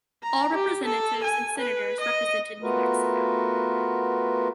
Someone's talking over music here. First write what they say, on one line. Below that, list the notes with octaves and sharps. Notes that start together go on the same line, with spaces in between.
All representatives and senators represented New Mexico.
A#5
G4
A4
G#5
B4
D#5
A3 B3 F4 F#4 A#4 B4